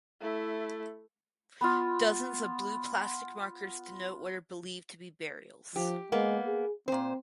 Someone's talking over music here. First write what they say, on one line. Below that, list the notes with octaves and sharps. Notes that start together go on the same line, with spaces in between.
Dozens of blue plastic markers denote what are believed to be burials.
A3 E4
B3 F4
F3 G4
G#3 A#3 B3
G#4
A#2 C4 C5